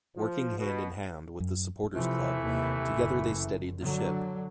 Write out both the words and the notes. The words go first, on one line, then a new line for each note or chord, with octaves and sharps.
Working hand in hand with the Supporters' Club, together they steadied the ship.
F3
B2
F#2
C3 E3 F3 A3 E4
D#2 C3
F#1
D3 F#3